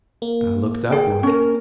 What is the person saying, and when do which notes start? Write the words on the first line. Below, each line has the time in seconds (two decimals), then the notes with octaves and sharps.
I looked upward.
0.22 A#3
0.91 G#4 G5
1.23 C#4 A#4